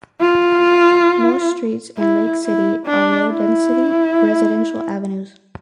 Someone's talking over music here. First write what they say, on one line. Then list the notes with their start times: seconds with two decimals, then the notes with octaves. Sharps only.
Most streets in Lake City are low density residential avenues.
0.21 F4
1.98 E4
2.43 E4
2.86 D4
3.30 E4